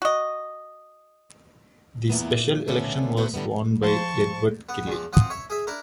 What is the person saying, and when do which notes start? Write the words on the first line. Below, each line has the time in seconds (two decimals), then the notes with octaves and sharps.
The special election was won by Edward Kelly.
0.02 F#4 D#5
2.10 E2 A#2 E3 A#3 B3
2.31 A#2
2.68 D3 F3 A3 B3 C#4 D4
3.17 D3 A3 B3 F#4 B4 C5
3.34 A2 D3 G3 G#3 B3
3.82 F3 C5 A5 C#6
4.69 B3
4.87 E2 F3
5.13 F3 C4 F#5 D#6
5.30 C#5 E5
5.50 G#4 E5
5.67 D4 E4 A#4